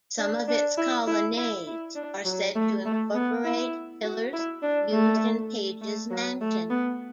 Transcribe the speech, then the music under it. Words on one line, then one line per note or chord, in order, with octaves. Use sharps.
Some of its colonnades are said to incorporate pillars used in Page's mansion.
D4
D4
E4
E4
E4
E4
D4
F#3
A3
A3
B3
E4
F#4
E4
D4
A3
A3
F#3
A3
B3